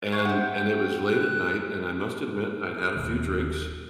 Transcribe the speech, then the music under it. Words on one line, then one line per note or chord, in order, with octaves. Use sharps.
and and it was late at night, and I must admit, I'd had a few drinks,
C5 E5 C#6 G#6
C5 F#5 G5
F#6
D#1